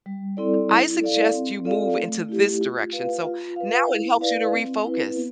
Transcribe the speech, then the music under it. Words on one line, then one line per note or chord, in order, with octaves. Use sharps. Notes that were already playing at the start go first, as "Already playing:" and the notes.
I suggest you move into this direction." So now it helps you to refocus.
G3
C4 E4 A4 D5
E4
A4 D5 F5
C4
F4 A4 D5 F5
A3
E4 G4
F4
B4 F5
F4
B4 F5
E4
B4 D5 F5
C4
E4 B4
B3